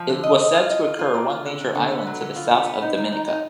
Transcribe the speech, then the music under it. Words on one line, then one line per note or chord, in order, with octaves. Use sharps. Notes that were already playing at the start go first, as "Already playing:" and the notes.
It was said to occur one major island to the south of Dominica.
Already playing: F3
D3
D#5
D#5
F4
D#5
F4
F4
A#3
F4
D3
D3
D3
B3
F#3
D3
F4
B3
B3
D#4
D#3
D#4
D#4